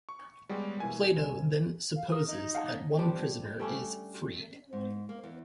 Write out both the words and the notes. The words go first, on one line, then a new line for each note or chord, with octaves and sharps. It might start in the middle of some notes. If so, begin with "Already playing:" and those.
Plato then supposes that one prisoner is freed.
C#6
G3 G#3 B3 G4 C#5 F#5
B2 E3 A#3 G#5
C2
F5
A#4 D#6
D#4
F5 F#5 A5
F3 G3 D4
G3 A3 C#4 D4
G#2
A#3
E2